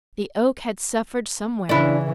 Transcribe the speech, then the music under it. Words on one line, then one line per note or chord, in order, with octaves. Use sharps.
The oak had suffered somewhere.
C#3 E3 D4 E4